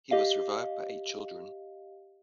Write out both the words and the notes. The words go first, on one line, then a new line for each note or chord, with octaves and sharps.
He was survived by eight children.
G4 D#5 F5